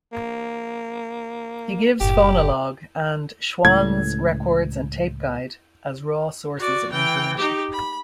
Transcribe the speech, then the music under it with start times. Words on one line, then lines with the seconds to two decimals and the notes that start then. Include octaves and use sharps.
He gives "Phonolog" and "Schwann's Records and Tape Guide" as raw sources of information.
0.13 A#3
2.00 F#1 A2 G4
3.65 C#2 A2 G#6
6.58 F#4 D5
6.91 E3 G5
7.37 D#4 G4
7.73 B5